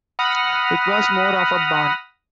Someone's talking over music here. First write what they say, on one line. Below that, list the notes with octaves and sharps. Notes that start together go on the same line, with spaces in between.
It was more of a barn.
F#5 B5 D#6 F6 A#6